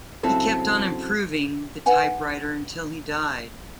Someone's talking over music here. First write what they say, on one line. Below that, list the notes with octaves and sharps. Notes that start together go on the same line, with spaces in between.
He kept on improving the typewriter until he died.
C#3 F#3 C4 E4 A4 C5
D#4 B4 F#5 G#5